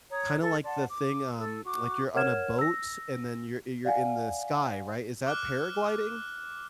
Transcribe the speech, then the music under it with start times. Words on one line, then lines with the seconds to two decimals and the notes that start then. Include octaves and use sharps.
kinda, like, the thing, um like, you're on a boat, and then you're you're in the sky, right? Is that paragliding?
0.11 C#5 A#5 D#6
0.40 A4
0.65 D5 F#5 A5 C6
0.89 D6
1.37 A4 E6
1.64 F#4 D6
2.15 A#4 C#5 F#5 F6 G#6 E7
2.59 E6 A#6
3.85 D5 F5 F#5 G#5
5.27 D6 F6 F#6